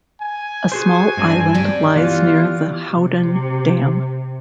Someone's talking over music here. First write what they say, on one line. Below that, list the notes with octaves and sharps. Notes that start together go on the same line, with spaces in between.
A small island lies near the Howden Dam.
G#5
F#4 G#4 C5
G2 C4 D4
G3 G4
E3 B3 F4
C3